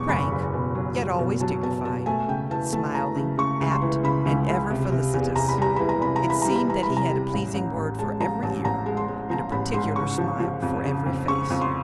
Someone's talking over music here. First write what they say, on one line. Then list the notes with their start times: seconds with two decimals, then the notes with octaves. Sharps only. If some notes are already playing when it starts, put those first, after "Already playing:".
Frank, yet always dignified, smiling, apt, and ever felicitous, it seemed that he had a pleasing word for every ear, and a particular smile for every face.
Already playing: E2 B2 F#3 C#6 D6
0.09 F#1 B5
0.31 F#1
0.54 B2
0.75 F#3
0.97 F#3
1.19 B2
1.40 F#3 A5
1.62 B2 A5
1.85 B2 A5
2.06 A3 G#5
2.28 C#3 G5
2.50 E3 A5
2.73 A3 A5
2.94 E3 A#5
3.16 C#3
3.38 C#3 C#6
3.60 C#2
3.71 C6
3.81 E3
4.03 C#3 B5
4.25 C#2
4.48 C#2
4.70 C3
4.92 C3
5.14 E2
5.36 C3 A#5
5.49 B5
5.58 G3 A#5
5.76 E3 B5
5.89 A#5
6.01 C3 B5
6.16 A#5
6.23 E3
6.30 B5
6.42 G3 A#5
6.56 B5
6.68 E3 A#5
6.83 B5
6.90 C3
6.97 A#5
7.11 G3
7.34 A1
7.54 A1
7.76 A1
7.99 G#3 A5
8.20 F3 A#5
8.43 A1 A5
8.65 A1 A#5
8.86 G#3
8.97 C6
9.08 G#3
9.30 F3 A#5
9.52 A1 B5
9.74 G#2 C6
9.96 C#3 C#6
10.18 F3
10.40 F3
10.62 F2
10.85 C#3
11.06 F2
11.28 C#3 C#6
11.50 F2
11.61 C6